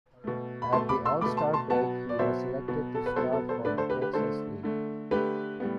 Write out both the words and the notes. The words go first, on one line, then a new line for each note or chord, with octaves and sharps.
At the all-star break he was selected to start for the Texas League.
B2 A3
B5
B2 A3 A5 C6
B5 D6
C6 E6
B2 A3 B5 D6
A5 C6
A5 C6
B2 F#3 B3 F#5 A5
D5
B2 F#3 B3 C5 E5
B2 F#3 B3
A4
B4
B2 F#3 B3 A4 C5
A4
A4 C5
D3 A3 B4 D5
A4 C5
G4 B4
G4 B4
D3 A3 A4 C5
D3 A3
D3 A3 G4 B4
A2 G3 B3